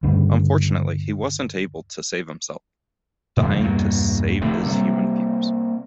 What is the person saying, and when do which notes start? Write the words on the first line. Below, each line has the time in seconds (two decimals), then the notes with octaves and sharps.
Unfortunately, he wasn't able to save himself, dying to save his human peers.
0.03 D2 G2 C#3
3.37 A2 C#3 F3 G3
3.59 E2 G2 B2 A#3
4.41 F1 A2 C3 D#3
4.66 C3 G3 A#3